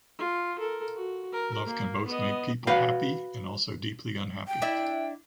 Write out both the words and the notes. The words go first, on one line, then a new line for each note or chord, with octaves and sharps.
Love can both make people happy and also deeply unhappy.
F4
A4 A#4
F#4
A#4
A#3
B3 D#5
F#4 B4 F5
G5
D4 E4 E5